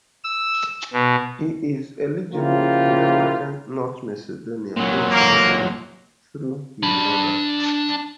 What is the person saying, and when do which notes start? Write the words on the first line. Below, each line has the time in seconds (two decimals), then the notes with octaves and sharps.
He is eligible to represent North Macedonia internationally through his mother.
0.24 E6
0.93 B2
2.33 C#3 F3 A#3 E4 F4 G4
4.76 A#2 F#3
5.12 A#3
6.83 D4 B5